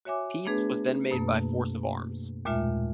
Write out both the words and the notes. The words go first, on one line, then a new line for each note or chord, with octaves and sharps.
Peace was then made by force of arms.
F#4 C#5 E5 G#5 D6
A3 B3 D4 G#4 B4
F#2 B2 A3 A#3
D#2 A#2 G#3 A3 F4 E5